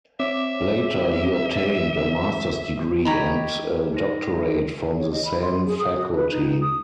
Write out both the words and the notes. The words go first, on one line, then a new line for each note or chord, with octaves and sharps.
Later he obtained a master's degree and a doctorate from the same faculty.
C4 C#5 E5 D6
G4 D#5 A#5 B5 C#6 G#6
D#4 C5 A#6
C#5
D#5
B5
C6
G#4
D#6
F#4
B4
D#4
D#6